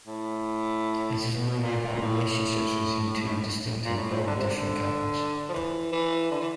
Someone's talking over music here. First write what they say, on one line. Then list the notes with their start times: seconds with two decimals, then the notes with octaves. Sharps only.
It is a movie about relationships between two distinct and very different couples.
0.07 A2
1.62 A#2
1.94 A#2
2.02 A2
3.85 A#2
3.97 A2
4.16 A#2
4.27 D3
4.36 C3
4.55 D3
5.49 F3
5.53 E3
5.92 E3
6.31 D3
6.40 E3